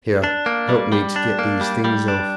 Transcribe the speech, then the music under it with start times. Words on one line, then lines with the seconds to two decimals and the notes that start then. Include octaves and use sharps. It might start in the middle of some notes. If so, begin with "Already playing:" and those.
"Here, help me to get these things off."
0.24 D4
0.46 A#3
0.69 G3
0.92 G3
1.16 D4
1.39 A#3
1.61 G3
1.84 G3
2.08 D4